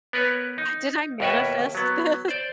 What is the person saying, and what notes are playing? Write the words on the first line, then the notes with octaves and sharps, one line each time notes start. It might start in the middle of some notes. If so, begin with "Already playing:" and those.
"Did I manifest this?"
B3 A#4 B4 C#5
D#4
D#2 B2 A#4 B4 C#5 E5
F#3 B3
C5 D5